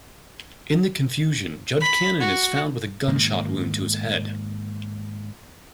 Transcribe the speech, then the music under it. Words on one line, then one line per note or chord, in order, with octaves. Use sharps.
In the confusion, Judge Cannon is found with a gunshot wound to his head.
B5
F#4
G#2 D#3 A#3